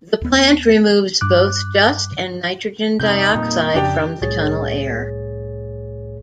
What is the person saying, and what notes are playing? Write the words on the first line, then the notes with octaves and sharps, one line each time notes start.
The plant removes both dust and nitrogen dioxide from the tunnel air.
D#2 B3
G2 D6 F#6
F1 C3 D#4 G6
A#2 G3 A#3
F2 C#3 D4 G4 G5
C2 A2 G#4 C#5 A6